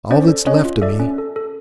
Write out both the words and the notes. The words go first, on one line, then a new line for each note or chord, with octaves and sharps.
'All that's left of me.
C#4 C5 D5
A4
C#4 C#5 D#5
F4
A4 D5 E5
C#4
A4
A4